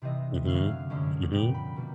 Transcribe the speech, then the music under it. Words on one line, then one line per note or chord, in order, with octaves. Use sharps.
Mhm. Mhm.
C3 E3 G3 C4 D#5
F#2 D3 F#3 A3 C4 F5
F#2 D3 F3 G#3 C#4
A#2 G3 B3 G5
B5
B2 G3 A#3